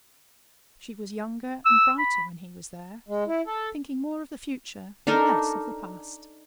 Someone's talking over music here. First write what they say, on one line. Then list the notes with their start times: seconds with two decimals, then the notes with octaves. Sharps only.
She was younger and brighter when he was there, thinking more of the future and less of the past.
1.66 E6
1.99 B5
3.09 G#3
3.27 E4
3.47 A4
5.07 D4 D#4 A4 A#4